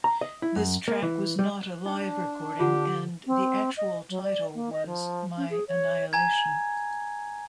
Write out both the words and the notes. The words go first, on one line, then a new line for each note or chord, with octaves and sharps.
This track was not a live recording, and the actual title was My Annihilation.
A#5
D#5
E4
F#2
A#3
E3
G3
F#6
D4 D#4 G5
D3 F4 G4 F#5
C4
D#5
F#3
D5
A#3
D#5
F3
C#4
G#4
C#5
G#5 A#5 G#6